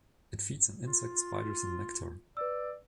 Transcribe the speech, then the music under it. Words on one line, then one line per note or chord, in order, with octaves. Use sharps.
It feeds on insects, spiders and nectar.
F4
B4 D5 E6